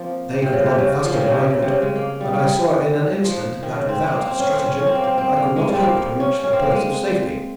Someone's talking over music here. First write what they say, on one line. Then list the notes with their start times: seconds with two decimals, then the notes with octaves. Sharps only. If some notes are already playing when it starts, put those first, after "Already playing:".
They could run faster than I could, and I saw in an instant that without stratagem I could not hope to reach a place of safety.
Already playing: F3 A#3 C4
0.42 C3
0.53 C#3
0.66 C3
0.79 C#3
1.05 F3
1.13 D#3
1.22 C#3
1.30 C3
1.50 C#3
1.62 C3
1.70 C#3
1.82 G#3
1.96 A#3
2.21 G3
2.34 G3
3.24 F3
3.63 D#3
3.76 C#3
3.89 C4
4.02 C4
4.15 A#3
4.28 C4
4.40 C#4
4.52 C4
4.66 C#4
4.79 C#4
4.87 C4
4.95 A#3
5.04 C4
5.18 C4
5.36 A#3
5.56 G#3
5.70 G3
5.75 C4
5.82 A#3
5.95 A#3
6.20 C#4
6.44 A#3 C#4
6.53 C4
6.62 A#3
6.71 G#3